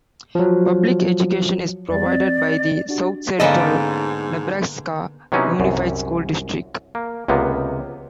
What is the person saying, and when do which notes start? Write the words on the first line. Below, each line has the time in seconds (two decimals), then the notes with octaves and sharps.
Public education is provided by the South Central Nebraska Unified School District.
0.35 F3 F#3
1.89 F2 G3 D5
2.06 C4 D#5
2.89 D4 F#4 G4
3.40 G#2 D3 A#3 B3 C#4 A4 D5 D#5
5.32 C3 F#3 B3 C#4 D#4 E4
5.60 C2 F#2
6.95 A#3
7.28 C#2 C3 A#3 B3